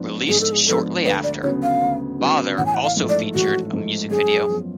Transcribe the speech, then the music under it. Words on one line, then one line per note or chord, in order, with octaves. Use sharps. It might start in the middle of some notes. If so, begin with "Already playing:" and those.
Released shortly after, "Bother" also featured a music video.
Already playing: G#2 F3 B3 D4
G#2 G#4
A4
G#4
F3 B3 D4 A4
D2 B4
D5
C#3 F#3 B3 C#5
F5
D2
C#3 F#3 B3
A1 F#5
G#5
F#5
F5
G#2 F3 A3
D5
A1 F#4
G#2 F3 A3
F#2 G#4
F3 B3 F4